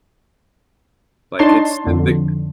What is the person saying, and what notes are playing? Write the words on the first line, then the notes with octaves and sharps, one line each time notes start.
like, it's the the
D4 D#4 C#5 A5 C6
F2 D3